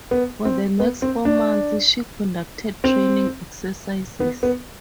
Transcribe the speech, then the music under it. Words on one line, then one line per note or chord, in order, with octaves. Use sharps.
For the next four months she conducted training exercises.
B3
C4
B3
C4
D4
C4
B3
B3